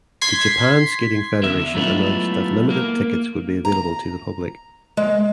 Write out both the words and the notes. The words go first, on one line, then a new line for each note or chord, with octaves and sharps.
The Japan Skating Federation announced that limited tickets would be available to the public.
C6 G#6 B6 C7
E2 D3 E5
F#3 G#3 A3 B3 E4 F4
A#3
A#5
G#3